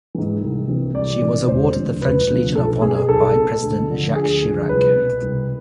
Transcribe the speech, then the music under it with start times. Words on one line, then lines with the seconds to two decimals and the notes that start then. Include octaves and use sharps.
She was awarded the French Legion of Honour by President Jacques Chirac.
0.15 G#2 E3
0.41 C2
0.68 C3 E3
0.94 C2 D5
1.21 C3 E3
1.48 E1 C5
1.75 D2 C3 F3
2.02 E1 B4
2.28 D2 C3 F3
2.55 B1 A4
2.82 B2 G#4
2.96 G#4
3.09 B1 A4
3.35 B2
3.62 D2
3.89 D3 F3
4.16 D2 G#4
4.43 D3 F3
4.69 C2 B4
4.96 B2
5.22 C2